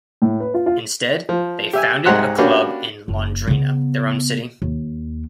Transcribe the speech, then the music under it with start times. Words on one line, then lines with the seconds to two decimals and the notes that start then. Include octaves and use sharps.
Instead, they founded a club in Londrina, their own city.
0.22 A2
0.40 B4
0.54 F4
0.66 F4
1.29 F3
1.73 G4 E5 G#5
2.05 C2 G#2 G#3 F#5 C6 F#6
2.38 A#3 C#4 D4 F#4 G4 B4
3.08 F#1
3.47 C#3 B3
4.62 D#2